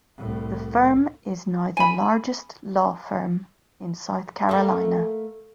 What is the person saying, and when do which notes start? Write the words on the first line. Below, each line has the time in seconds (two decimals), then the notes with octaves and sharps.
The firm is now the largest law firm in South Carolina.
0.17 C2 A2
1.77 G#5 B5
4.49 A3 A#3